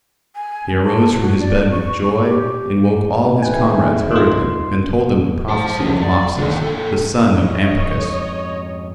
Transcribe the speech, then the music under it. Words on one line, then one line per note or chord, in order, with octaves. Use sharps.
And he arose from his bed with joy and woke all his comrades hurriedly and told them the prophecy of Mopsus the son of Ampycus.
G#5
A5
F#4
D5
C#6
G4
G#1 G#2 A3 B4 G5 G#5
D#4 F4 C6
C5 A5
F3 C#4
D5
D#2 D3
A#2 A4
F2 G#2 C#5 D#5